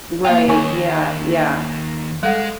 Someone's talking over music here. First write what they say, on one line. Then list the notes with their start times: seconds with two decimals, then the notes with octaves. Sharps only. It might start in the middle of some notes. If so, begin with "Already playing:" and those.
Right. Yeah. Yeah.
0.25 A#3 F4 F5 G5
0.48 D#2 C#5 G#5 C#6
2.23 G3 G#3 A4 F#5